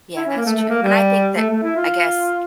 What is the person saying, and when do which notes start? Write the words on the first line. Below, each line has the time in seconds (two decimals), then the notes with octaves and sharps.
Yeah, that's true. And I think that, I guess,
0.16 E4
0.26 C#4
0.36 A#3
0.45 A3
0.56 A3
0.69 A#3
0.82 G3
1.36 A3
1.50 A3
1.63 E4
1.76 F4